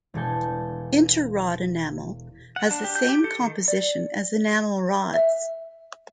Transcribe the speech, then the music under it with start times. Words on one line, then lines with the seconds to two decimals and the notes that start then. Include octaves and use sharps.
Interrod enamel has the same composition as enamel rods.
0.14 E1 B2 D4 A4 G#5 G6
2.56 F#5
2.71 D4
2.84 G4
2.95 G6
3.09 G4
3.24 A4
3.40 D#3
3.68 D5
5.14 E5